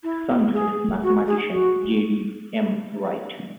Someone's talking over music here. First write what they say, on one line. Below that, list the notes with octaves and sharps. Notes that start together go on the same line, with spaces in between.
His son is mathematician J. D. M. Wright.
E4
G#4
F#4
G#4
F#4